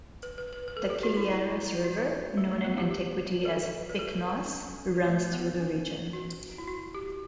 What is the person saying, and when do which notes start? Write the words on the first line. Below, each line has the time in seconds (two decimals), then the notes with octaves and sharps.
The Kiliaris river, known in antiquity as 'Pyknos', runs through the region.
0.23 B4
0.38 B4
0.53 B4
0.68 B4
0.77 A4
0.90 G4
1.03 F#4
1.17 E4
1.30 E4
1.84 F#4
2.37 A3
2.51 A3
2.64 B3
2.78 G4
2.91 G4
3.45 A4
3.90 B4
3.99 A4
4.53 C#4
5.06 A3
5.33 B3
5.60 C#4
6.13 F#4
6.58 E4
6.68 F#4
6.95 G4